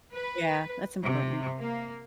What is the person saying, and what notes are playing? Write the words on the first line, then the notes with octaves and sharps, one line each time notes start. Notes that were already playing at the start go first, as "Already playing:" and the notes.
Yeah, that's important.
B4
C3
A#3